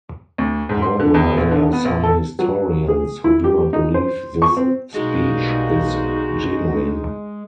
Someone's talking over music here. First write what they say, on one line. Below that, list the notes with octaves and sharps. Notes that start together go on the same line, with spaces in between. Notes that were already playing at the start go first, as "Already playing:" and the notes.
However, there are some historians who do not believe this speech is genuine.
D2
G#2
C6
D3
E2
A#1
D3
B3
A#1
A4
F#3
G#4
E4
G4
D#4
C5
C#6
C4
B1 G3 G#3 A#3 D#4 F#4